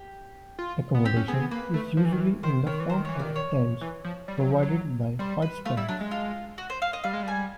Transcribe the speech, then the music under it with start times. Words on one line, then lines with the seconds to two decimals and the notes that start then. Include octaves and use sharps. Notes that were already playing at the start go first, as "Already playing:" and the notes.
Accommodation is usually in the form of tents provided by participants.
Already playing: G4
0.59 F4
0.95 B3
1.05 C4 G4
1.16 C#4
1.28 B3 G#4
1.34 C4
1.40 B3
1.51 A#3 B4
1.74 A3
1.97 F3
2.05 E3
2.12 D#3
2.20 E3
2.43 D#3 C5
2.66 D#3 C#5
2.80 E3
2.90 D#3 C5
3.05 E3 C#5
3.19 D#3 D5
3.36 C#5
3.81 E3
4.04 F3
4.28 G3
4.39 F#3
4.51 F3
4.63 F#3
5.19 G3 C5
5.42 B4
5.65 A3 F4
5.77 G3 E4
5.89 F#3 D4
6.01 G#3
6.11 F4
6.58 F#4
6.70 C5
6.82 F5
6.93 D#5
7.04 G3 F5
7.13 G#3
7.23 G3 G#5